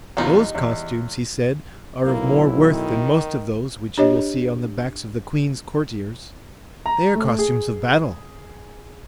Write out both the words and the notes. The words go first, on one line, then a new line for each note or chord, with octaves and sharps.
"Those costumes," he said, "are of more worth than most of those which you will see on the backs of the queen's courtiers; they are costumes of battle."
E2 B2 G3 D#4 F4
E2
B1 A#3 E4
D#3
D4 G4 C#5 D#5
A#5
A3
G#4